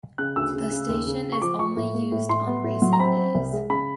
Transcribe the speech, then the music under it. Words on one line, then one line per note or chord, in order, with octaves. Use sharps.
The station is only used on racing days.
C#3 F#6
D2 E6
C#3
C#3
D#2
C#3
C#3
C#6
F3 D6
F3 C#6
A2
A#3
A2
A2 C6
B3
A2
F#3
A#5
C4 B5
C4
C2
G#3
C#3 B5